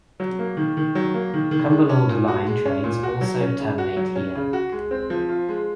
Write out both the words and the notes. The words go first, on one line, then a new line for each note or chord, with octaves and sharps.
Cumbernauld Line trains also terminate here.
F#3
A#3
D#3
D#3
F#3
A#3
D#3
D#3
G#3
C#4
A#2
F#4
G#3
C#4
A#2
F#4
F#3
C#4
C#3
F#4
F#3
C#4
C#3
F#4
G#3
C4
F3
F4
G#3